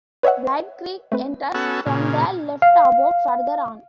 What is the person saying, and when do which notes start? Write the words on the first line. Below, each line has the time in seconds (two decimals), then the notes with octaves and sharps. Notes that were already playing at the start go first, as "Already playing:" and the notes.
Blind Creek enters from the left about further on.
0.23 B4 C#5 D#5 E5 F#5
1.12 A3 C4 B4
1.54 B3 C#4 F#4 A4
1.86 A#2 C#3
2.62 F5